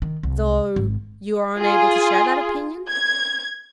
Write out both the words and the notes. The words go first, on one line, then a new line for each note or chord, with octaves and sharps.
"Though you are unable to share that opinion?"
D#3
C2
G#1
F4 G#4
G#6